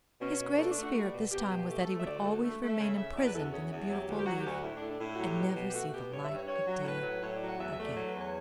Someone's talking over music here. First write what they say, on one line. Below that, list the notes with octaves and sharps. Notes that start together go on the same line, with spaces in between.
His greatest fear at this time was that he would always remain imprisoned in the beautiful leaf and never see the light of day again.
B2 C#4
B2
A3 D4
D4
A3 F#4
G3 F#4
D5
B2
B2 G4
B2
A3 G4
A4
A3
E5
D2 D5
F#4
A3
F#4
A3
A3
E5
C#3 E5
C#3 E5
E2 D5
B4
E2 A4
F#4
C#3
E2
F#3 G4
D2
G4
F#3 F#4
G4
D2
F#4
A2 E4
D4
A3
D4
A2 E4
F#4
F#3
G4
B2
B2
G4
A3 F#4
B2 G4
G2 C#5
E5
G2
C#5
G2 C#5
F#3
A2 B4
F#3
A2 C#5
D5
F#3
F#5
E2 E5
E5
A3
D5
F#3 C#5
B4
E2 C#5